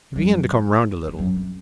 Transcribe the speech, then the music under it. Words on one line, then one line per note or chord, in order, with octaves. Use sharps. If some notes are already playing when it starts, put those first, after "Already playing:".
He began to come round a little.
F#2
E2
F#2
C3